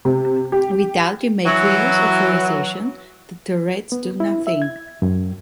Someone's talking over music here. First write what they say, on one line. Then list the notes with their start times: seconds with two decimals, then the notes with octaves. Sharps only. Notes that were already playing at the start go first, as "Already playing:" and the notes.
Without Demetrio's authorization, the turrets do nothing.
0.05 C3
0.52 G4
1.46 E3 F#3
3.92 B3
4.20 E4
4.47 E5
4.62 G#6
5.02 F#2